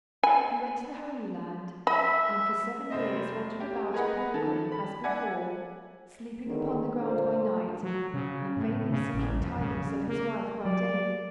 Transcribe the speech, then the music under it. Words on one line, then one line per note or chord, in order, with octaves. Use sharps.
He went to the Holy Land, and for seven years wandered about a pilgrim, as before, sleeping upon the ground by night, and vainly seeking tidings of his wife by day.
G#5 B5
E5 B5
F1 C5 D#5
G4
G#4 A#4 B4 D#5 F#5
D#3 A4
B5
D5 E5 F#5 G#5
D3 D#3 G#3 A#3 B3
A#2 D3 A4 C5
F#3
C#3
A2
C#3
A1
F2
C#3
A#3
F#3 D5